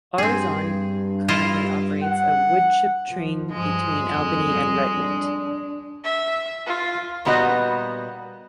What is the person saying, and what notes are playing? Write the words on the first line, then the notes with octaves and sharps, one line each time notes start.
Aurizon currently operates a woodchip train between Albany and Redmond.
G2 C4 G#4
E4 F4 D#5
F#5
F3
G2 F3 G#3
F2 G3
D4
E5
F4
A#2 G3 B3 F#4 A#4 D#5